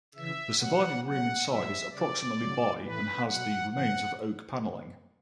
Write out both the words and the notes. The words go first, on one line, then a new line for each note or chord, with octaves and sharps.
The surviving room inside is approximately by and has the remains of oak panelling.
C#3 E3 E5
B2 F#3 F#5
C#3 F#3 F#5
A2 F#3 E5
C#3 F#3 D5
C#3 F#3
A2 E3 B4
B2 F#3 F#5
A2 E3 F#5